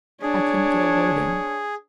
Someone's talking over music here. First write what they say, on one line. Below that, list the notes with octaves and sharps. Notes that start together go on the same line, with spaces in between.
I couldn't get a word in.
D4 G#4 C#5